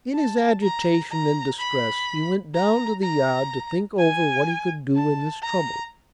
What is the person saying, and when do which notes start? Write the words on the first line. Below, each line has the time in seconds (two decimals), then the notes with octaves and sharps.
In his agitation and distress, he went down to the yard to think over what he could do in this trouble.
0.14 A5
0.63 A#5
1.11 A#5
1.59 B5
2.55 A#5
3.03 A#5
3.99 G#5
4.95 A5
5.43 A#5